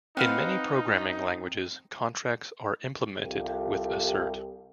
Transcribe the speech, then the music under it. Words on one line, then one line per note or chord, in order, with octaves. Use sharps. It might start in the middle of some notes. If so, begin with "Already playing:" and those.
In many programming languages, contracts are implemented with assert.
C4 D#4 B4 F5 F#5
C2 F4 G4 A4